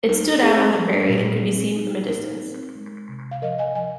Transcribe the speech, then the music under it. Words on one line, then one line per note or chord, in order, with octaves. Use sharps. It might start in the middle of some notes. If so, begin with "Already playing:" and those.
It stood out on the prairie and could be seen from a distance.
D#4 A#4
C4 G#4
F3
A#2
C4
D#4
D#4 A#4
C4
G#3
C3
F5
F3 A#4 D#5
F5
D#5 G#5
F3 D#5 G#5